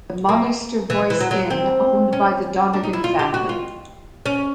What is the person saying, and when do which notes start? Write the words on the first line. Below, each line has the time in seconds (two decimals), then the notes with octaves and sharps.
The "Monasterboice Inn", owned by the Donegan family.
0.29 A#3
0.90 E3
1.10 E3
1.20 F#3
1.31 F#3
1.50 C4
2.13 C#4
2.73 D4
2.83 D#4
2.93 E4
3.04 F4
3.19 G4
3.34 F#4
3.49 F4
4.26 C#4